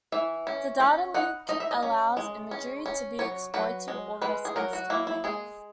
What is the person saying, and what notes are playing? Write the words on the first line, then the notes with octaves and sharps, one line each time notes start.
The data link allows imagery to be exploited almost instantly.
E3 E5
C#4
C#4
D#4 F#5
D#4 D#5
E5
D#5
C#4
G#3
C#4
C#4
F#3 C#5
F#3 B4
G#3
G#3 B4
G#4
F#3 A#4
F#4
A#3 E4
E4
G#3 G#4